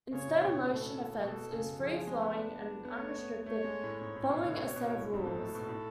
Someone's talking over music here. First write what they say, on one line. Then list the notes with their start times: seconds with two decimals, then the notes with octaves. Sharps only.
Instead, a motion offense is free-flowing and unrestricted, following a set of rules.
0.12 C#3 C#5
0.27 A2
0.41 B2
0.54 B2
0.68 A2 A4
1.24 B2 A4
1.52 C#3
1.79 F3 G#4
1.94 F3
2.07 G#3
2.22 B3
2.35 D4
2.85 B3
2.90 A3 C#5
3.19 B3
3.46 A3 C#5
3.64 G#3
3.83 A2
4.01 G#2 C#5
4.16 A2
4.30 B2
4.44 D3
4.57 B2
4.76 B2
4.95 A2
5.12 G#2 A4
5.27 G#2
5.40 A2
5.55 B2
5.68 A2